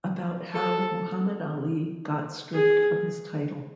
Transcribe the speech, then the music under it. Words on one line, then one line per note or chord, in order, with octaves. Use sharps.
About how Muhammad Ali got stripped of his title.
A4
G#4